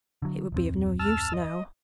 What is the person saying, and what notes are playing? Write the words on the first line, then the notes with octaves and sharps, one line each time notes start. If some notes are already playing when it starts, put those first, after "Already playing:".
It would be of no use now.
D3 F#3
D1 F2 C4
A5 E6 F6
D#5